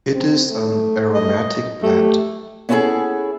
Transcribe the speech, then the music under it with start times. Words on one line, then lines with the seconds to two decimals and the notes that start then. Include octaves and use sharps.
It is an aromatic plant.
0.15 C4
0.51 A3
1.14 D#5
1.83 A3 G4
2.69 B3 C#4 E4 F#4 G#4 A4